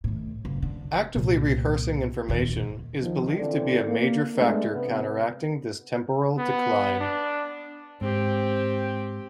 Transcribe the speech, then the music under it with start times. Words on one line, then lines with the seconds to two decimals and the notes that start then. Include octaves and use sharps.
Actively rehearsing information is believed to be a major factor counteracting this temporal decline.
0.04 A2 D#3
0.45 F#1
0.62 D3
1.15 C2 A#2
2.28 D#1 D#3
3.00 D#3 F3
3.37 D3 E3 C4 A4 D5
3.87 A#3
4.36 G#3 A3 B3 D4
4.72 C3 B3
6.38 B3
7.01 D4
8.01 G#2 C4 G4